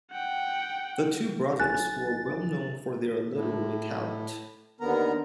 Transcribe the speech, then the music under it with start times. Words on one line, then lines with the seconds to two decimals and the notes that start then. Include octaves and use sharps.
The two brothers were well known for their literary talent.
0.11 F#5 G5
1.60 B1 G#5 F#6 A6
3.33 A2
4.80 D#2 D3 B3 A#4 A#5